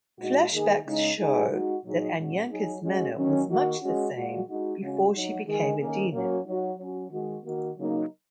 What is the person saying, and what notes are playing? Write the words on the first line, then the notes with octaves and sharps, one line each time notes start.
Flashbacks show that Anyanka's manner was much the same before she became a demon.
A#2 G#3 D#4 F#4
D#3 A#3 D#4 G#4
C#3 G#3 D#4 G#4
G#3 D#4 G#4
G#3 D#4 F#4
A#2 F#3 D#4 G#4
A#2 G#3 C#4 F#4
F#3 D#4 G#4
G#3 C#4 F#4
D#3 F#3 C#4
D#3 A#3 F#4
G#3 C#4 F#4
A#2 G#3 F#4
G#3 D#4 F#4
C#3 G#3 C#4 F#4
F#3 D#4 F#4
D#3 G#3 D#4 G#4
D#3 A#3 C#4 G#4
F#3 A#3 C#4 F#4
F#3 D#4 F#4
F#3 C#4 F#4
D#3 G#3 F#4
D#3 A#3 F#4
C#3 F#3 A#3 D#4